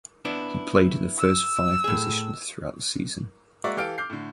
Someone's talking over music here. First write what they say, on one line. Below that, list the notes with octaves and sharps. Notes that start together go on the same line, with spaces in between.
He played in the first five position throughout the season.
B3 D4 E4
E6
A2 G#4
G#3 A#3 F#4 D5 E5 C#6
E3 G4 A4 F5 D7
D6 F6 G6 C7
A2 D3